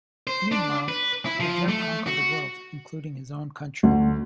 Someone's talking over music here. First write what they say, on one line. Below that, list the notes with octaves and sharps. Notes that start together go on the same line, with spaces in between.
Meanwhile, the "Gem" conquered the world, including his own country.
C5
D4
B4
E4
F3
A3
F#4
D2